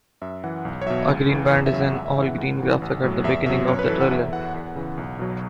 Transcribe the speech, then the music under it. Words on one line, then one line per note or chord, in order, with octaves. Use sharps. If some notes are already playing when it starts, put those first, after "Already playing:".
A "green band" is an all-green graphic at the beginning of the trailer.
F#2 E5
E3 F#5
B1
C#5
B2 F#3 E5
C#2
C#3 E3
E2
E5
C#3 F#3
F#5
C#2 E5
E5
C#3 E3
F#5
C#2
C#3 E3
A1
A2 F#3
E2 E5
B2 F#3 E5
F#2 C#5
B4
E3 A4
F#5
E2 E5
E3 F#5
E2 F#5
C#3 E3
B1
B2 F#3